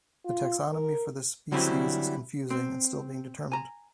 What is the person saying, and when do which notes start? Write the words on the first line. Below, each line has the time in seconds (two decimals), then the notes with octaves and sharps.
The taxonomy for this species is confusing and still being determined.
0.25 F4
0.72 A#4
1.52 D3 F#3 G3 C4 E4 G#4
2.50 C4
3.52 G#5 A#5